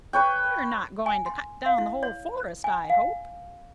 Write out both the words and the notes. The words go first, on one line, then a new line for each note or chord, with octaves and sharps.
"You're not going to cut down the whole forest, I hope."
B4 C#5 G5
G#5
C6
F5
E4
C#5
G#5
F5